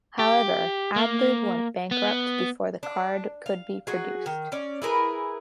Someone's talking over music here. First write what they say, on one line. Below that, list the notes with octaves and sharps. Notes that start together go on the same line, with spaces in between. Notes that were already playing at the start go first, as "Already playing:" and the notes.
However, AdLib went bankrupt before the card could be produced.
G4
A#3
B3
D4
F5
F#3 F#4 G#4
D#3
C#4 D5
E4 G#4 A#4 B4